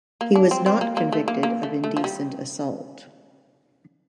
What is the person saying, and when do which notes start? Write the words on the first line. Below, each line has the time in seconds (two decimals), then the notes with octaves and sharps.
He was not convicted of indecent assault.
0.21 A#3
0.35 D4
0.51 C4
0.66 C4
0.81 A#3
0.97 A#3
1.13 A3
1.28 A#3
1.43 A#3
1.63 A3
1.84 A3
1.97 F3
2.04 G3